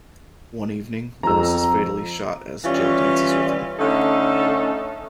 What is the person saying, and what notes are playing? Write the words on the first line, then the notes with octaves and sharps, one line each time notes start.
One evening, Louis is fatally shot as Jill dances with him.
F2 A#5 E6
E3 G3 C#4 F4
D3 A3 C#4 D#4 A4